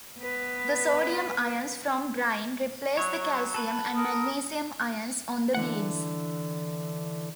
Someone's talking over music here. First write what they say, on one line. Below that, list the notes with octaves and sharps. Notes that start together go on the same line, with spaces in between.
The sodium ions from brine replace the calcium and magnesium ions on the beads.
B3 B4
F#3 C#5
A4 B4
A#4 D#6
D3 E3 F#5